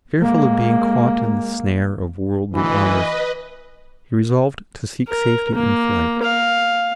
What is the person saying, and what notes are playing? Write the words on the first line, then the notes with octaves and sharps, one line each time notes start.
Fearful of being caught in the snare of worldly honors, he resolved to seek safety in flight.
G#3 A#3
D2 E3 B4 D#5
A#4
A#3
F5